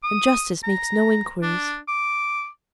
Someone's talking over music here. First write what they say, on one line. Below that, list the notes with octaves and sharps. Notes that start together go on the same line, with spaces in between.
And justice makes no inquiries.
D#6
A#5
D4
D6